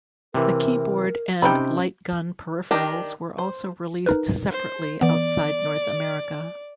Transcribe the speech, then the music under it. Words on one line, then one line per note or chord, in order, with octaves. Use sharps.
The keyboard and light gun peripherals were also released separately outside North America.
C3 E3 A#4
C3 G3 C#4 D#4 G5 B5
D#3 D4 G4 A#4
C5
D#4 A#4 B4
C5
E3 B3 D5